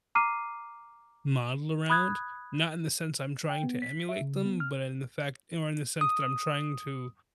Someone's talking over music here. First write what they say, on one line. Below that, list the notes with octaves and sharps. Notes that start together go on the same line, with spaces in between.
model around. Not in the sense I'm trying to emulate them, but in the fact or in the sense that I'm trying to,
A#5 D6 F6 C7 D#7
B5 D#6 F#6 G#6
G5
B3
B6
E5
C#3
B3
F6
D#6